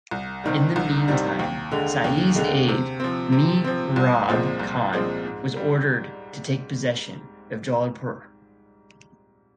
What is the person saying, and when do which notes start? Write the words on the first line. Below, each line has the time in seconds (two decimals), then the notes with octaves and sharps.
In the meantime, Shah's aid Mihrab Khan was ordered to take possession of Jodhpur.
0.11 C2
0.44 C3 D#3 G3
0.76 C2
1.08 C3 D#3 G3
1.39 D#2
1.71 D3 G#3
2.04 D#2
2.36 D3 G#3
2.68 C3
3.00 F3 C4
3.32 C3
3.64 F3 C4
3.96 C2
4.28 A#2 F3 G#3 C4
4.60 C2
4.92 A#2 F3 G#3 C4
5.25 G#2
5.56 G3